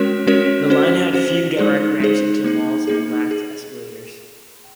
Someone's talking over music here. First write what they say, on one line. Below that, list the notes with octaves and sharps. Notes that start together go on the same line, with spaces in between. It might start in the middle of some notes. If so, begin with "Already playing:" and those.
The line had few direct ramps into malls and lacked escalators.
Already playing: G#3 C#4 F#4 A#4 C#5
G#3 C#4 F#4 A#4 C#5
C#4 F#4 C5
C#4 F#4 C5
G#3 D#4 G#4 C5
G#3 D#4 G#4 C5
A#3 D#4 G#4
A#3 D#4 G#4
G#4